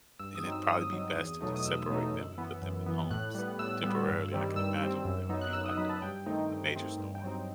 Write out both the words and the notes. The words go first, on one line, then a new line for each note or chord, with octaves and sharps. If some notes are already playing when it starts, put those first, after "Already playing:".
and it'd probably be best to just separate them, and put them in homes temporarily, I can imagine what that would be like during a major storm.
G2 E6
D#6
F#3 C4 D#4
E6
G2 D#6
F#3 C4 D#4
E2
B2 F#3 A3 D#4
D#6
E2 E6
B2 F#3 A3 D#4
F#2
E3 B3
F#2
E3 B3
A2 F#6
G3 B3
A2 E6
G3 B3
G2
D#3 G3 C4
G2 E6
D#3 G3 C4
F#2
F#3 B3 D#4
F#6
F#2 E6
D#6
F#3 B3 D#4 B5
A5
G2 G5
D#3 A3 C4 D#4
G2
D#3 A3 C4 D#4
G2
G5
F#3 C4 D#4